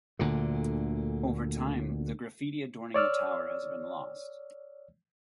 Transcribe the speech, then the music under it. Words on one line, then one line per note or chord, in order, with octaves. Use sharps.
Over time the graffiti adorning the tower has been lost.
D2 A#2 D3
C#5 D5 E6 F6